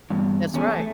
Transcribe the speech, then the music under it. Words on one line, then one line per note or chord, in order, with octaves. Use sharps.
That's right.
E2 G2
E2 C#4 D#4 G#4
A3